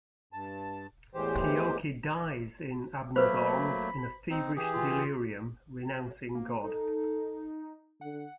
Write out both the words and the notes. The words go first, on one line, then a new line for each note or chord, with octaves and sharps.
Keoki dies in Abner's arms in a feverish delirium, renouncing God.
G2 A5
E2 A2 E3 G#3 G4 C5
F#3 A3 A#3 B4 C5 B5
C4 D#4
E3 G4 G#4
F4
A#3
D#4 A4
D3 F#5